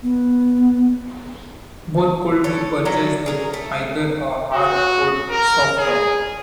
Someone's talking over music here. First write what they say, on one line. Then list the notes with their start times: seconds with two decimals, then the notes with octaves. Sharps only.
Both could be purchased with either a hard or soft-top.
0.03 B3
2.44 A4 C#5
2.85 F#3 A3 C#4 D4
3.26 G#4 A#4
3.54 A3
4.53 F#4
5.30 A#4
5.78 G#4